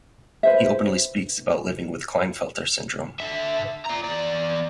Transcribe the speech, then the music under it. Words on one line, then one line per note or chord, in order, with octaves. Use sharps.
He openly speaks about living with Klinefelter syndrome.
B4 C5 E5
D3 E5
D5 A#5
E2 D5